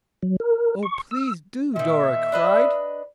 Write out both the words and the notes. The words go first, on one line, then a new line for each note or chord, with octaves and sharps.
"Oh, please do," Dora cried.
F#3
A#4
C#6
E6
A#2 D#3 E5
D4 B4 D#5